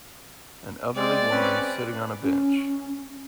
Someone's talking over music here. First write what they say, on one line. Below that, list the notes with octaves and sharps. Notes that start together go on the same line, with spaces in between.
An elderly woman sitting on a bench.
G#3 C4 D5
C4 C#4 B4
C#4